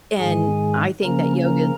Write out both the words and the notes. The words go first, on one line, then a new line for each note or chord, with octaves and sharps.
and I think that yoga
G#2 D#3 G#3 G#4 G#5
C#3 F3 A#3 C#4 A#4 A#5
A#4 A#5